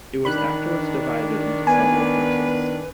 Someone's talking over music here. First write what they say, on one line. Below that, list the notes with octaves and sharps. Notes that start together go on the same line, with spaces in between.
It was afterwards divided into several parcels.
D#3 D4 B5 F#6
B3 B4 G#5